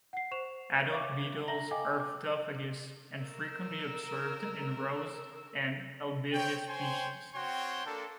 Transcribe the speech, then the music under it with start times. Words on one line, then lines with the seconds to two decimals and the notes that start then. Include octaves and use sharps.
Adult beetles are phytophagous and frequently observed in rose and "Albizia" species.
0.13 F#5 C7
0.31 C5 C#6 E7 F7
0.90 C#5 E5 F5 C#6 D6
1.48 D4 E5 A#5 A#6 F#7 G7
1.71 A4 D#5 F5 G5 G#5 D6
2.00 D6
3.21 A#4 E6
6.33 C4 C#5 G5
6.68 C5 C#5 G5 G#5 C6
7.34 C4 F#4 C#5 G5 C6
7.86 A#3 D4 A4